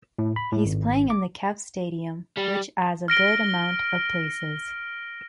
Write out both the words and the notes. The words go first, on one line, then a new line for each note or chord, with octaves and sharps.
He’s playing in the Kef stadium which as a good amount of places.
A2
B5
A2
G#1
D6
G3
F6 A#6 D7 G7